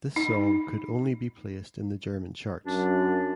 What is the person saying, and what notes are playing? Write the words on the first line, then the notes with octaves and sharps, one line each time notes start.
This song could only be placed in the German charts.
D#4
F#2 D4